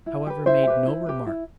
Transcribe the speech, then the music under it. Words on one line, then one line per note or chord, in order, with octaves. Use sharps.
I however made no remark.
E4
G4 B4
E4 C5 E5
G4 B4
E4
G4 B4
E4